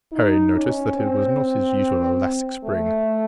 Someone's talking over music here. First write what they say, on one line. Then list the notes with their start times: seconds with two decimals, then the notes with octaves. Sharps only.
Harry noticed that it was not his usual elastic spring.
0.12 D#4
0.54 C#4
0.97 C4
2.64 A3